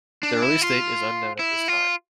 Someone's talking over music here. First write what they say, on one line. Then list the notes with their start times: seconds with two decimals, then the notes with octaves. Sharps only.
The release date is unknown at this time.
0.23 D4
0.42 E4
0.62 F4
1.39 E4
1.68 F4